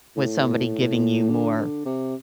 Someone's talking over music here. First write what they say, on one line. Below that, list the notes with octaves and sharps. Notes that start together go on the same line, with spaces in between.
with somebody giving you more,
A2
D3
D3
C3